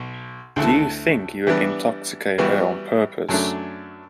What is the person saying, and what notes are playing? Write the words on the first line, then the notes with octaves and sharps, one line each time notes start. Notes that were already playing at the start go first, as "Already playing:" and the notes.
Do you think you would intoxicate her on purpose?
Already playing: B1 B2
D2 D3 A3 E4 A4
E3 G3 B3 D4
E3 G3 B3 F#4
F#2 F#3 A3 D4